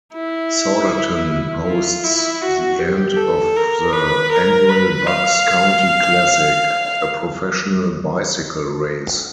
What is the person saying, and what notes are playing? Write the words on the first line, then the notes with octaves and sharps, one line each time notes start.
Souderton hosts the end of the annual Bucks County Classic, a professional bicycle race.
E4
F4
E4
F#4
G4
A4
A#4
B4
A#4
B4
F5